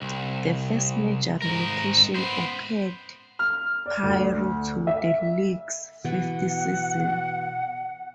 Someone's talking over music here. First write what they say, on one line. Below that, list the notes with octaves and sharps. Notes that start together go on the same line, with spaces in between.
The first major relocation occurred prior to the league's fifth season.
C2
G#2 A#4
B3 C5
F6
D5
D2
E5
B2 E3 F#5